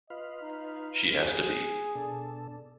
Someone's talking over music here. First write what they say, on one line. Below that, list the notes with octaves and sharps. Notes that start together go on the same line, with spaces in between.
She has to be.
F4 B4 D#5 F5
D#4
G#4
B2 D4 A4